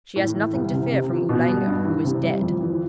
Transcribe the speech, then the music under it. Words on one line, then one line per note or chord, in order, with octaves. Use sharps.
She has nothing to fear from Oolanga, who is dead.
A2
E3
C2
C3
C3
F3
B2
G3
G2
E3
C3
G3
F2
E3